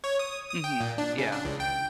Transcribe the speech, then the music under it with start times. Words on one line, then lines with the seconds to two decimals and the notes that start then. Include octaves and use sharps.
Mhm. Yeah.
0.04 C#5
0.19 D#6
0.50 D#6
0.64 G5
0.80 A#2
0.98 D4
1.18 C#3
1.32 D4
1.45 C#2
1.60 G5